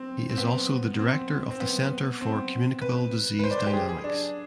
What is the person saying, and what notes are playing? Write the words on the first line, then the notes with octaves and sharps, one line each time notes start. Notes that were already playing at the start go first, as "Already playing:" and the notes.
He is also the Director of the Center for Communicable Disease Dynamics.
Already playing: C4
C4
B3
C4
C4
B3
C4
B4
B4
C5
D5
C5
G4
G#4
G#4
D4